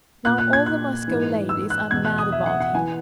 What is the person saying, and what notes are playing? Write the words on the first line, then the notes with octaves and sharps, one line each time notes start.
Now all the Moscow ladies are mad about him!
A#2 F#6
F#6
G#6
F#6
G#2 E3
E6
F#6
E2 B2 G#6
F#6
D#6
E5
F#5
F#5
E3 G#5